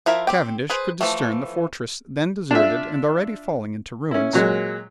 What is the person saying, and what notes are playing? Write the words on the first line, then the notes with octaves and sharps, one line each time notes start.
Cavendish could discern the fortress, then deserted and already falling into ruins.
F3 E4 A#4 E5
C4 G4 G5
G#4 B4 C5
E3 F3 A3
D4 F4 E5
C#4 E4
A#2 F#3 G#3